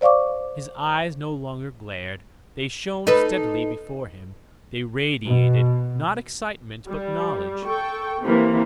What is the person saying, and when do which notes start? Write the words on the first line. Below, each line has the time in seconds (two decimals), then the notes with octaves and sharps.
His eyes no longer glared; they shone steadily before him, they radiated, not excitement, but knowledge.
0.01 C5 D5 F5 C#6 D6
3.07 D#4 A4 B4
5.25 B2
6.88 G3
7.66 A4 G5 C#6
8.23 C3 E3 A#3